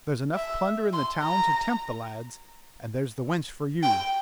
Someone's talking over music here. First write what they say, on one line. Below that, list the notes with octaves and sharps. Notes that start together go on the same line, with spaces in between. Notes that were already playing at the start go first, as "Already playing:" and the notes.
There's enough plunder in the town to tempt the lads, and there's the wench for you.
E5
C6
A#5
G5